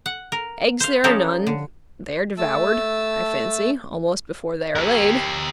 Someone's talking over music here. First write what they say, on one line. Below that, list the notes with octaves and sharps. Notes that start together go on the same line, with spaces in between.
Eggs there are none; they are devoured, I fancy, almost before they are laid.
F#5
A#4
C5 F5
F3 C#4 D#4 G4 A4 A#4
D3
A3 A5 E6
G4 A#4